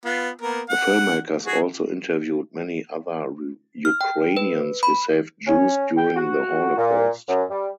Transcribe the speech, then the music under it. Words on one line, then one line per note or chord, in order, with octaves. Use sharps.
The filmmakers also interviewed many other Ukrainians who saved Jews during the Holocaust.
B3 F4
A#3 B3 A#4
F#5
F#4 G#4
F6
G5
B4
B5
C#4
G5
F#4
A#2
F#2
G3